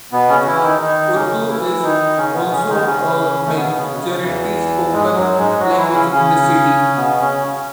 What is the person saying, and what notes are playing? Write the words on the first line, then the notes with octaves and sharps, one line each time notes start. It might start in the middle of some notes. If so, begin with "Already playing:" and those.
Urdu is also a majority spoken language in the city.
B2 B3
C#3 C#4
F#4
E3 E4
D#3 D#4
D#3 D#4
C#3 C#4
E3 E4
D#3 D#4
C#3 C#4
B2 B3
C#3 C#4
D#3 D#4
B3
C#3 C#4
A3
B2 B3
C#3
B2
C#3
E2 E3
G#2 G#3
F#2 F#3
G#2 G#3
F#3 F#4
E3 E4
C#3 C#4
C#3 C#4
B2 B3
C#3 C#4